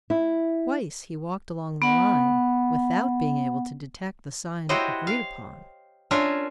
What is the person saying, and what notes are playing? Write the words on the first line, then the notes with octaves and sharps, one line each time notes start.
Twice he walked along the line, without being able to detect the sign agreed upon.
E4
B3 F#5
E4 F#4 G4 C5 C#5 D#5
F5
C#4 D4 F4 A#4 E5 G#5